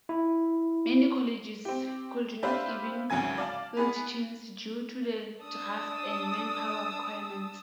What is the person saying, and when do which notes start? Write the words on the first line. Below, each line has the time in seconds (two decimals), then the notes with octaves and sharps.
Many colleges could not even field teams due to the draft and manpower requirements.
0.09 E4
1.65 C4 G4
2.43 D4 G4 B4 C5 E5 F5
3.10 G#1 D2 C#3 F#3 G#5 G#6
3.38 D5 F5 A5
3.77 B3 G#4 B4
5.41 D4 A5 D#6 E6